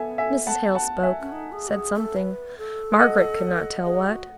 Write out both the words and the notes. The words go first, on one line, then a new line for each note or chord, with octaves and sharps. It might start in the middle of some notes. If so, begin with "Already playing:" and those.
Mrs. Hale spoke--said something--Margaret could not tell what.
Already playing: B3 A4 E5 G#5
E5 G#5
F#5 A5
F#5 A5
E5 G#5
C#4
D#4
G#4
F#4
G#4
A4
B4
A4
D#5 F#5
G#4
F#4